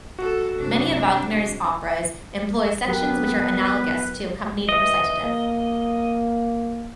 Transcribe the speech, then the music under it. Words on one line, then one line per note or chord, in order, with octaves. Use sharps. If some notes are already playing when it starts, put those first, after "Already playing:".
Many of Wagner's operas employ sections which are analogous to accompanied recitative.
F#4 A4
F#2 C3 D4
F#3 B3 G4 A#4 B4
E3 D#5
A#3